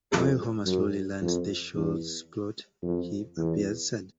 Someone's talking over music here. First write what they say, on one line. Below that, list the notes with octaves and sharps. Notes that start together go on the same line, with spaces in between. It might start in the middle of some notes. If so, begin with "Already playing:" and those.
While Homer slowly learns the show's plot, he appears sad.
F2
F#2
F2
E2
F2
E2